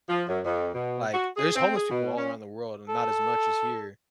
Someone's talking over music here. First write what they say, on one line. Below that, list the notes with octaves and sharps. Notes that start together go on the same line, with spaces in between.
Like, there's homeless people all around the world and not as much as here,
F3
F#2
F2
B2
F#4
G#4
C4
G#4
B2
C#4
A4